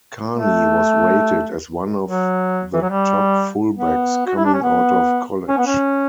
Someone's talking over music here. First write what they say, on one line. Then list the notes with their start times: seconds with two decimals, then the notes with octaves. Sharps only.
Karney was rated as one of the top fullbacks coming out of college.
0.32 A3
2.04 F#3
2.73 E3
2.82 F#3
2.90 G3
3.77 B3
4.27 F#4
4.36 E4
4.44 D4
4.54 C#4
4.62 B3
5.49 C#4
5.58 B3
5.66 C#4